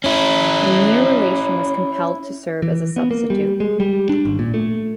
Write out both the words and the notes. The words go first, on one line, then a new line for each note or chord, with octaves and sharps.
A near relation was compelled to serve as a substitute.
C#4 E4
E3
B3
A#3
G3
G#3
G3
D4
G#1
A#2
A3